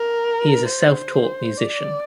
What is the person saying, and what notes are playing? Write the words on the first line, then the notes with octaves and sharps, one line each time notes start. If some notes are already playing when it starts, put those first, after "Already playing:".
He is a self-taught musician.
Already playing: A#4
C5
D5